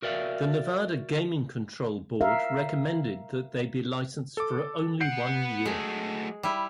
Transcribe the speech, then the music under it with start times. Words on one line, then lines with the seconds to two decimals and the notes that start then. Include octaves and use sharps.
The Nevada Gaming Control Board recommended that they be licensed for only one year.
0.02 F#4 A#4 D5 E5 F5
2.21 A#4 E5 F5
4.37 A4 D6
5.01 B3 F#5 G6 C7 D7
5.66 F#3 G#3 A3 G#4
6.43 G3 E4